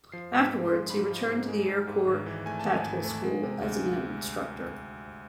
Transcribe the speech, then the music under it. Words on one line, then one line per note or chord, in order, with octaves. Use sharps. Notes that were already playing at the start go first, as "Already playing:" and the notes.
Afterwards, he returned to the Air Corps Tactical School as an instructor.
F3 C7
G#2
B6
G#3
C6
F3
G#2 B5
F3
G#2
G#3
G#2
G#2
G#1
E3
A3 G#5
A5
G#1
G#5
G#1
A3
G#3
C3
D2